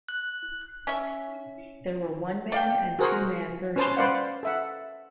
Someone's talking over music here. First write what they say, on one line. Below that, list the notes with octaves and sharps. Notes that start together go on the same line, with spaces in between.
There were one-man and two-man versions.
F#6
C#4 E5
D5 F5 G5
F#4 G#4 A#4 C5
C#4 B4 C5 A5 C6
B4 C5 D5 F5 F#5
A4 E5 F#5